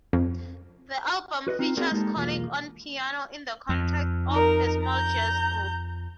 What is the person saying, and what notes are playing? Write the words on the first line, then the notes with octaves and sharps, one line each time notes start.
The album features Connick on piano in the context of a small jazz group.
F2
F#4 B4 C#5 D#5
C4 D#4 F4
B3 C4 F#4 G#4 A#4 D5
G#3 A#3 D#4 G4 A4
B1 E2 A#3 F4
F2
D#4 A#4
A#5 G6